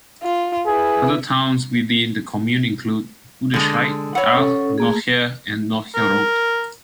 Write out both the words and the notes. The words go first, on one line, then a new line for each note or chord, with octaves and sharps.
Other towns within the commune include Buderscheid, Dahl, Nocher, and Nocher-Route.
F4
E4 G#4 B4
D3 G#3
C#5 F#5 B5 E6
C#4 A4
A3 A#3 G#4
A#4